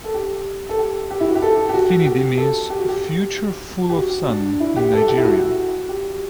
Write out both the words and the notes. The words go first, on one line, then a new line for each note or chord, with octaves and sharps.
Finidi means "Future full of sun" in Nigerian.
A4
G4
A4
G4
G4
E4
F#4
G4
A4
G4
F#4
G4
A4
G4
F#4
G4
G4
F#4
D4
E4
G4
A4
G4
E4
F#4
G4